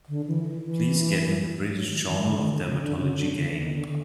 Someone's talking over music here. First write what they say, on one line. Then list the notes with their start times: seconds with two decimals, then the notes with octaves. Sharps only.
Please get me the British Journal of Dermatology game.
0.09 D3
0.27 E3
0.45 E3
0.64 E3
1.71 F#3
1.90 D#3
2.08 E3
2.25 D3
2.39 D#3
2.52 D3
2.66 C#3
2.80 D3
2.98 C#3
3.16 D3
3.33 C#3
3.47 D3
3.61 D#3
3.74 D3
3.88 D3